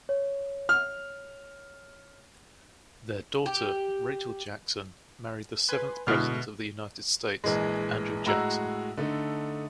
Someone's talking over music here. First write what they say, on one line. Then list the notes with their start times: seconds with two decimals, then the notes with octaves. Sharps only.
Their daughter, Rachel Jackson, married the seventh President of the United States, Andrew Jackson.
0.09 C#5
0.69 F6
3.46 G4
5.69 B4 G#5 C6
6.07 B2 D3 G#3 E4 F6
7.44 A#1 E3 G#3
8.26 A2 G#3 F#4 A#5 E6
8.97 D3 A3 D#4